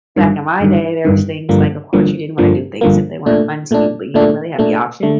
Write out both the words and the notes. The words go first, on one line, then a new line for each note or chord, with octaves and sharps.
Back in my day, there was things like, of course, you didn't wanna do things if they weren't fun to you, but you didn't really have the option,
G1 G2 D#3
G1 G2 D#3
G1 G2 D#3
G1 G2 D3 F3 A#3
G1 G2 D3 F3 A#3
G1 G2 D3 F3 A#3
G1 G2 D3 F3 A#3
A#2 A3 D4
A#2 A3 D4
A#2 A3 D4
A#2 A3 D4
D3 A3